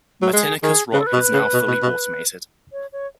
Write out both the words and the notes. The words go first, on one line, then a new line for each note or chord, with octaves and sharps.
Matinicus Rock is now fully automated.
F#3
G#3 G#4
D#3 G#4
C#3 B4
A4
B4
B2
C#3
B2
B2
B2
C#5
C#5